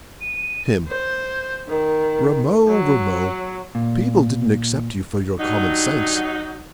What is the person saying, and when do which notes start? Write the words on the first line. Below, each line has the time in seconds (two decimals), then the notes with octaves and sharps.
HIM: Rameau, Rameau, people didn't accept you for your common sense!
0.21 D#7
0.88 C5
1.68 D#3
2.68 F#3
3.75 A#2
5.40 G2 F#3 D#4